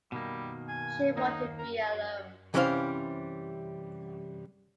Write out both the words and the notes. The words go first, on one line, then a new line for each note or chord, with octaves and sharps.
She wanted to be alone.
B2 D#3 G3 A#3
G#5
D#2 A#3 D#4
A#4
C3 E3 G3 C#4 C5 F5